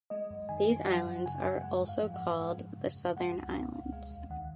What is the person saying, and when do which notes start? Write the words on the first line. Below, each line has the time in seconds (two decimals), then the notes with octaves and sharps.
These islands are also called the "Southern Islands".
0.10 G#3 D#5
0.30 F#2
0.49 D#3 G#5
0.68 F#2
0.87 F#3 F#5
1.06 F#2
1.26 C#3 G#5
1.44 F#2 G#5
1.63 G#3 F#5
1.83 G#2
1.89 F5
2.02 F3
2.14 F#5
2.20 G#2
2.40 G#3
2.59 F#2
2.77 C#3
2.96 F#2
3.17 G#3 F#5
3.35 C#2
3.54 B2 F5
3.73 C#2
3.92 G#3 F5
4.11 D#2
4.30 D#3 F#5